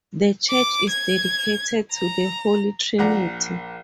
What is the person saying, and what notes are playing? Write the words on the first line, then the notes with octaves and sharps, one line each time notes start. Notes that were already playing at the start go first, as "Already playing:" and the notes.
The church is dedicated to the Holy Trinity.
D6
G#6
A#5
A#1 D5 F#5 A#5